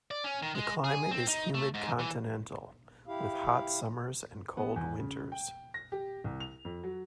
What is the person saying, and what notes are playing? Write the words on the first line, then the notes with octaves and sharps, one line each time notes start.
The climate is humid continental, with hot summers and cold winters.
D5
C#4
D#3
G#3
G#4
C4
D#4
A3
G#2
E3
E4 G4 F5
B3
E2
C#3
G5
A#6
G4
C2
F7
F2
F#3